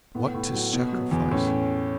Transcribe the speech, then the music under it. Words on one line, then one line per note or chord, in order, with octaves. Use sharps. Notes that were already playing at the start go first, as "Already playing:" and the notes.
What to sacrifice!
A2 B3
A2
F#3
B2
F#3
E2
A2 C#4